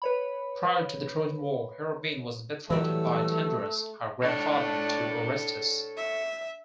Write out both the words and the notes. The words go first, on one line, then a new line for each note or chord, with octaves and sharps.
Prior to the Trojan War, Hermione was betrothed by Tyndareus, her grandfather, to Orestes.
B4 C#5 B5
E3 F#3 G3 A3 G4 E6
D4 A4 C#5
E5